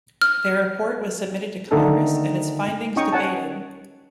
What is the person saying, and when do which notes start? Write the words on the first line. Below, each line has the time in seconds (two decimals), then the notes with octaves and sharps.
Their report was submitted to Congress and its findings debated.
0.22 F6
1.71 D3 D#3 A3 D#4 A4 A#4
2.96 C#4 D#4 D#5 G5 C#6 D#6
3.13 C#5 F#5 G#5 A5